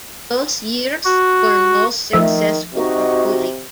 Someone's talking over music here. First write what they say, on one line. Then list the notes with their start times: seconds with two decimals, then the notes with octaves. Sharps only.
Those years were most successful for Kulig.
1.05 F#4
2.13 D#3 F3 A3 E5
2.74 C3 D#4 F#4 D#5